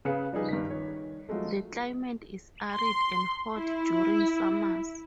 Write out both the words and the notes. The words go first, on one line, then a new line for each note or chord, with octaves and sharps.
The climate is arid and hot during summers.
C#3 G#4 B4 F5 C#7
F3 G3 D#4 G#4 B4
G2 D#3 B6
D#3 C#5
F3 F#3 G#3 A3
C6
E4